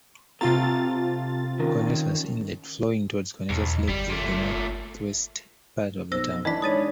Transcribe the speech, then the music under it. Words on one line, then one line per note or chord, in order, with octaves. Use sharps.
Conesus Inlet, flowing toward Conesus Lake, is in the northwest part of the town.
C3 C4 F4 A4 A#5 A6
D#3 C#4 A#4
B1 E2
G1 G3
A#2 A3
B1 C5 E6 A#6
E3 D4 D#5 B5 B6
G#2 C#5 D#6 A6 D#7